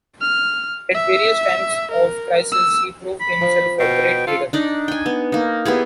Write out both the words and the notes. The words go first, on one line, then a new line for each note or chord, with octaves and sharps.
At various times of crisis he proved himself a great leader.
F6
E5
A#4
E6
B5
F3
B2 G5
F4 A4
D4 D#4 D5
G5 G#5
B3
A#3 D#4
B3 E4 G4 G#4